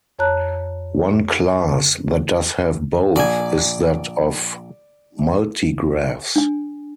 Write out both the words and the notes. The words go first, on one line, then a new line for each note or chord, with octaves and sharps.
One class that does have both is that of multigraphs.
F2 C#5 A5 A#5 F#6
A#1 D5 G#5
D4 G#5